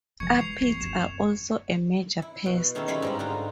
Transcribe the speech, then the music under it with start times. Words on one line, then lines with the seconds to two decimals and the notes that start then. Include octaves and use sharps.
Aphids are also a major pest.
0.20 E3 G#3 C#6 G#6 C#7
0.37 C7 C#7 F7
0.62 C4 F7
0.81 F#2 C4 E7
2.22 E4
2.46 B2
2.75 D#3 C#4 D#4 E4 G#4 A4
2.88 G3 C#4 E4 F4 B5
3.02 G#2 G3 D#4
3.19 G#2 D3 D#4 F4 A#5